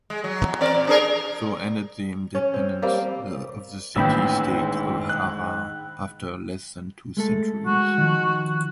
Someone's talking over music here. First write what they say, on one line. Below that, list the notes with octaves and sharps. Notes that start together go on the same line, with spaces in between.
So ended the independence of the city-state of Harar after less than two centuries.
G#3
F#3
E2
C4 A#4 D5
A#2
D4 G#4 A#4
C#4
C4
G3 A#3 C4
A1 G#2 D#3 A#3 D4 G5 B5 E6
F#6
G#3 A3 A4
G#3 F#4
D#3 F3